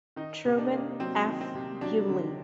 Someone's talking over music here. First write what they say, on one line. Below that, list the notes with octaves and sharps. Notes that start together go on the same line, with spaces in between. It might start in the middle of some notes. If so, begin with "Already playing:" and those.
Truman F. Bewley.
D#3 D#4
C3
D4
A#3
F#3 C4
D#3
C4
C3
F#3 D4
D3